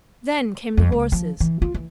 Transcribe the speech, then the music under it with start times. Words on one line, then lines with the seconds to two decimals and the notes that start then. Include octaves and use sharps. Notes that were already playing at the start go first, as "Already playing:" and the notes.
Then came the horses.
0.77 F2
0.92 C#2
1.12 F3
1.40 E3
1.62 F4
1.74 E3